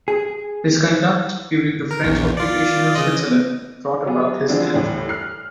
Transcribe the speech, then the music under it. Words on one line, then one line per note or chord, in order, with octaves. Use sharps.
His conduct during the French occupation of Switzerland brought about his death.
G#4
A#4
A#1 E2
F4 D5
C#3 D#5
F#3 G3 B3 G#4
D3 E3 F3 G3 G#3
D#2 A2 E3 G3 A3
F6 F#6 C7